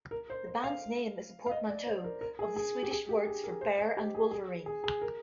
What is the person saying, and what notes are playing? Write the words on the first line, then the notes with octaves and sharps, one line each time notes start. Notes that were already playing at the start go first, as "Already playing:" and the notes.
The band's name is a portmanteau of the Swedish words for bear and wolverine.
A#4
C5
C5
F5
F5
D#5
D5
C5
A#4
A#4
G#4
G#4
G4
G#4
G4
G#4
A#4
C5
D#5
G4
G#4
G#4
G#4
G#4
A#4